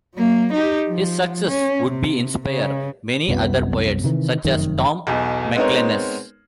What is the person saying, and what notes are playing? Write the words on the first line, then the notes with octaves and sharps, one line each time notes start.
His success would be inspire many other poets, such as Tom MacInnes.
F#3 A#3
D#4 G4
F3
C#4
C3
C#3
C2 F#2 F#3 B3
C3 D#3 E3
F1 F#2 D#3
B1 E2 B2
G#3 B3 C4 D#4 A#4 C#5